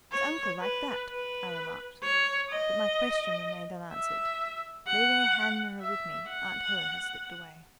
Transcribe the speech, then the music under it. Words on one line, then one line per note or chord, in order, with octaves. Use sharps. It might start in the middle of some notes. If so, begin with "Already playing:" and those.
"Is uncle like that?" I remarked, but my question remained unanswered. Leaving a hand-mirror with me, aunt Helen had slipped away.
C#5
B4
B4
C#5
D#5
E5
F#5
E5
F#5